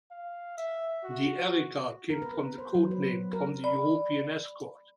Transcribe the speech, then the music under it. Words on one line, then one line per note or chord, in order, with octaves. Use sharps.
The "Erika" came from the code-name from the European Escort.
F5
E5
F#4
A#4
B4
C5
F#3
B4
A#4
D5 B5